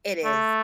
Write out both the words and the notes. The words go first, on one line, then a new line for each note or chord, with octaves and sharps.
It is.
A3